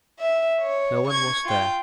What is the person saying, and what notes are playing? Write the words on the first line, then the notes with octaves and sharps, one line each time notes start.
No one was there.
E5
C#5
C#6 G#6
F4 G5